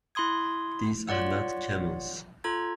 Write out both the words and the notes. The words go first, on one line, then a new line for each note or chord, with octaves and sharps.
These are not camels!
E4 B5 C6 D#6 G#6
F4 C#5 D5 F#5
F4 A4 A#5 G#6